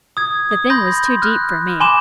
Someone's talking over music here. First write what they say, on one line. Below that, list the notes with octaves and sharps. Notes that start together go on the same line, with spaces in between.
The thing was too deep for me.
D#6 G#6
D#6
B5 C6 G6 A#6
F6 F#6
G#5 B5 C6 D6 G6 E7